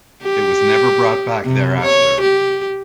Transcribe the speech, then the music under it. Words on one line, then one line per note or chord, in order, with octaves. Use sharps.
It was never brought back thereafter.
G4
C3
C#5
G4